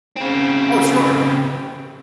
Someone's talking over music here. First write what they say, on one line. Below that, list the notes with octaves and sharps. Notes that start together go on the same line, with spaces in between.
Oh, sure.
C#3 C4